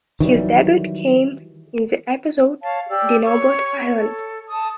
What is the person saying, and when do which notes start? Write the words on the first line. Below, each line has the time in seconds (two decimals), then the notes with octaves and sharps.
His debut came in the episode Dinobot Island.
0.20 D#3 E3 F#3 G3
2.62 C#5 F5 A5
2.88 G4 D5 E6
3.24 C#5 C#6
3.96 A4
4.49 A5 D#6